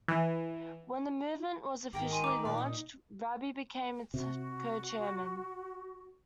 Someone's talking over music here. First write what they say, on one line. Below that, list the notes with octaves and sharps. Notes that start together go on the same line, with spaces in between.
When the movement was officially launched, Raby became its co-chairman.
E3
G#1 D#3 G4 A#4 G5
G#5 C6 D#7
A#5 D6
A#2 G4 B4 D5
D#4 D#6
C3 F#4